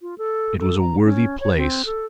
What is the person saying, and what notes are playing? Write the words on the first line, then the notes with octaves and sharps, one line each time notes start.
It was a worthy place.
F4
A4
A4
A#5
C#4
C#5
C4
A4